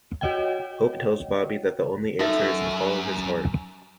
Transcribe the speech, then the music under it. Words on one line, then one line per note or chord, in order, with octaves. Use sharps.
Hope tells Bobby that the only answer is to follow his heart.
F#4 C#5 D#5 F#5 G5
F#2 D#4 A4 E5